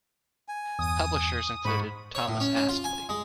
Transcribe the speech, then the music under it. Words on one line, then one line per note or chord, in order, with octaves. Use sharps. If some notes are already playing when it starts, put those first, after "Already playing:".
Publishers included Thomas Astley.
G#5
E2 G2 D#6
G#2 C5 B5 C#6
C#5
A2
C#4
C#4
F4
G#5
G#3